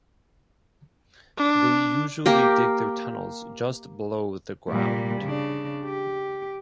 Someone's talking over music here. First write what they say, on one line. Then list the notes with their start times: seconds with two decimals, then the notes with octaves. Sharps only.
They usually dig their tunnels just below the ground.
1.37 D4
2.26 A#3 G4 A#4
4.70 A#2 G3
5.22 C#3 D4
5.84 G4